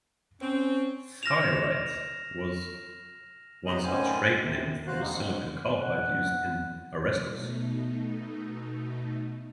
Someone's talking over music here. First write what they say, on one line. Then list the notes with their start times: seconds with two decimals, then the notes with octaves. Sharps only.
"Thyrite" was once a trade name for the silicon carbide used in arresters.
0.42 C4 C#4
1.23 F6 A#6 E7 F7
3.66 F#2 C3 B3 D#4 D#5
3.83 A2 D3 D#3 C#4 C5 G#5
4.41 F#2 C3
4.87 F#4 C5 F5 F#6
5.02 D3 G3 G#3 A#3 D#4
5.13 E2 G#2 C4 C#6
5.74 F#5
7.28 B2 A3 D#4